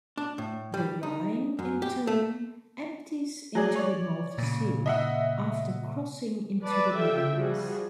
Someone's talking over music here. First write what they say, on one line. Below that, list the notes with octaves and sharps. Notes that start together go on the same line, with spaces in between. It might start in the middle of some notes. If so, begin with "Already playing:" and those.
The Rhine, in turn, empties into the North Sea after crossing into the Netherlands.
D4
A2
G3
D#4
F#2
G4
A3
F#3 G#4 D5
C#5 D5
A#2 C#3
D#5 E5 F#5
B4 D5 A5
F4 G4 A4 E5 G5
F3 G3 F#4 G#4